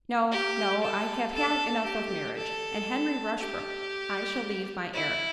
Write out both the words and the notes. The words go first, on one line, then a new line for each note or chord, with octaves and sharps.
No--no--I have had enough of marriage--and Henry Rushbrook I shall leave my heir.
G4
A4
A4
G4
A4
G4
E4